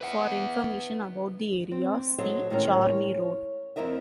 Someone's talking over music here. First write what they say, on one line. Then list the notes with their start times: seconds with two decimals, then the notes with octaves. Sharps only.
For information about the area, see Charni Road.
0.01 B4 E5 F#5
1.71 C4
2.18 F#3 A4 C5 C#5 D#5
2.50 A2 D#3 E3 G#3 C#4 A#4
2.79 A#4 C#5
3.76 F2 B2 E4 A#4 D#5 E5